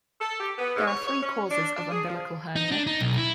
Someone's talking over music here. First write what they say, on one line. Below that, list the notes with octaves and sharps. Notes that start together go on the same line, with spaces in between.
There are three causes of umbilical hernia.
A4
G4
B3
G#2
C#5
C#5
C#4
D4
D4
G#4
F3
D#4
D4
D#4
B1
E4